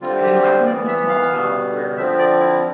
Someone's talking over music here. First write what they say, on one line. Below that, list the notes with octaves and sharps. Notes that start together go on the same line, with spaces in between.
uh, you know, I come from a small town where,
D3 G3 C4 F4
G4
C5
E3 B3 D5
E5
F5
B2 G3 B3
D3 F3 C4 E5
D5
E4